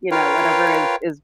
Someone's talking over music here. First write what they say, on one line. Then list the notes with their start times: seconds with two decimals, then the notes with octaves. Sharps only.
you know, whatever is is
0.11 F4 A#4 B4 C#5 F5 G5